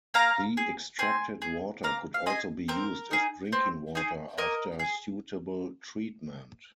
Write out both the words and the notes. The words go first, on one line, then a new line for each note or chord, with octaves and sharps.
The extracted water could also be used as drinking water after suitable treatment.
A#3 F5 A#5
G#4
C4 G#5 C6
G#4
A#3 F5 A#5
F5
F4 G#4 D#5 G#5
C4 A#4
D#4 G#4
C4
D#4 G#4
A#3 A#4 D#5
G#4